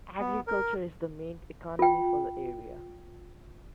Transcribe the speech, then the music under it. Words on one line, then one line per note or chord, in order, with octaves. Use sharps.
Agriculture is the main economy for the area.
B3
A#4
F4 G5